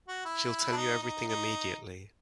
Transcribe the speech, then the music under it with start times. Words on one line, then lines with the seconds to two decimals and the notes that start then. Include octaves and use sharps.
She'll tell you everything immediately.
0.08 F#4
0.25 E4
0.72 D4
0.77 D#4
1.02 D#4
1.28 D#4